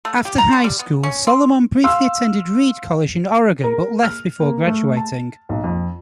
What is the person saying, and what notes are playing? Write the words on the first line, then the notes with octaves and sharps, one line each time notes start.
After high school, Solomon briefly attended Reed College in Oregon but left before graduating.
A3
G4
A#5
D3
G3
B3
C#4
C4
F5 C6 E6 F6
A#4
F6
A#3
A3
A5
B1
F2